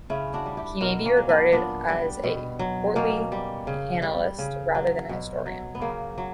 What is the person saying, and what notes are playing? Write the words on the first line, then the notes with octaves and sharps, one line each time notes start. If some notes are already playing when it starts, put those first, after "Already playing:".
He may be regarded as a courtly annalist rather than an historian.
C#3 C#4 E4
D4 F#4
G3
E4 G4
B2 F#4 A#4
A#3 C#4
F#3
B3 D4
A#2 B3 D4
G3
B2
F#3
B2 A#3 C#4
G3
C#3
G3
C#3
F#3
B2
F#3
B3
C#3 A#3
F#3